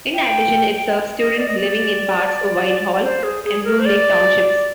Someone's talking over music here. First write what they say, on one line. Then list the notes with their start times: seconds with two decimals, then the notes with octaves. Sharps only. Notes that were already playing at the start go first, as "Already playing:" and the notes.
In addition it serves students living in parts of Whitehall and Blue Lake townships.
0.14 G5
1.17 D#5
1.38 D5
1.48 D#5
1.57 D5
2.95 D5
3.03 C5
3.23 G#4
3.44 G#4
3.64 A#4
3.80 C5
3.86 D5